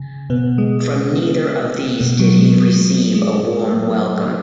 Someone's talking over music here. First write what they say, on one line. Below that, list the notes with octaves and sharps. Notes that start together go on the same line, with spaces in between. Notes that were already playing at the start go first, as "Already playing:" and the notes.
From neither of these did he receive a warm welcome.
Already playing: C#3
B2 B3
G#3
B2 B3
F#3
G#3
F#3
G#3